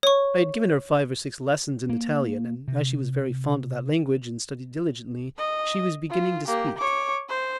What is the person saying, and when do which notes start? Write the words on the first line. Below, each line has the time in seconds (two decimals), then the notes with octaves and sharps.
I had given her five or six lessons in Italian, and as she was very fond of that language and studied diligently she was beginning to speak.
0.03 C#5 C#6
1.89 A#3
2.68 C3
5.38 D#5
6.10 F4
6.47 A#3 G4
6.78 C#5 D6
7.29 C5